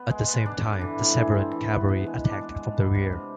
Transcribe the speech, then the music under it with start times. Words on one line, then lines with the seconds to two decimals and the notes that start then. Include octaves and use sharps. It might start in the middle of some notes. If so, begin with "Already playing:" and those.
At the same time, the Severan cavalry attacked from the rear.
Already playing: B3
0.10 G#3
0.28 B3
0.46 D4
0.64 D3
0.81 E3
0.99 A2
1.16 G#4
1.35 C4
1.52 E3
1.70 B3
1.88 B3
2.06 G#3
2.24 D4
2.41 G#3
2.59 G#3
2.77 B3
2.95 C3
3.12 C3